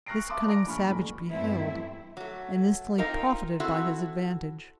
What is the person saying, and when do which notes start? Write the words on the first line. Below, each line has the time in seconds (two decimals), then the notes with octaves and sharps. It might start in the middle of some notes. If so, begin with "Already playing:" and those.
This cunning savage beheld, and instantly profited by his advantage.
0.06 C#6 F6 F#6 A#6 C7 D7
0.29 E5 F5 A5 C6 D6 D#6
0.46 D5 F5 A#5 D6 A#6 D7
0.66 A#1 G#5 B5 C#6 F6
0.88 D#1 B5
1.30 E2 G2 A3 C4 E4 E5
2.17 F#3 A3
2.98 C4 D#4 F4 A#4
3.60 C4 E4 F#4 A4